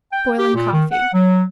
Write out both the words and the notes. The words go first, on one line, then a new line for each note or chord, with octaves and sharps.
Boiling Coffee.
G5
G4
A#2
D#3
F#5
F#3